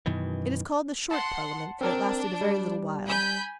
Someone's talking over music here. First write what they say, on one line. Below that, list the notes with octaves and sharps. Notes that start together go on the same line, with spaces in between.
It is called the Short Parliament, for it lasted a very little while.
F#2 B2 D#3 E3
F#5 A5 C6
C4 D4 A#4
G3
G#5 B5 G6